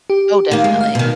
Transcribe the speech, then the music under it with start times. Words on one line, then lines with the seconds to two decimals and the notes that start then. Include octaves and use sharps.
Oh, definitely.
0.10 G4
0.51 D#3 A#3
0.64 G#3
0.81 F5
0.95 B2 D#3